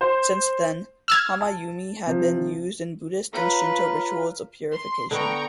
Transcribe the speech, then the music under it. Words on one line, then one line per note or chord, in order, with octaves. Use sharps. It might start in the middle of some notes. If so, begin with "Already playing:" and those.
Since then, Hama Yumi have been used in Buddhist and Shinto rituals of purification.
C5
E6 F6 G#6
A5
C3 F3
F4 B4 C#5 F5 A#5
C6
D3 B3 G5 A#5 C#6